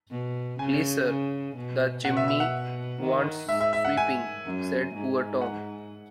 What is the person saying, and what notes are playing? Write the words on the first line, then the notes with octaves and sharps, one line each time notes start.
"Please sir, the chimney wants sweeping," said poor Tom.
B2
C#3 G#5
C#3
B2
B2 F#5
E5
E5
F#5
D#3
G#2 E5
E5
E5
F#5
G#5
F#2
G#2
F#5